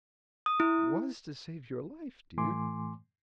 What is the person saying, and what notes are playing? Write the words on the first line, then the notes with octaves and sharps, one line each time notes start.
"It was to save your life, dear."
D#6
E4
A2 E3 A3 G#5 C6 D6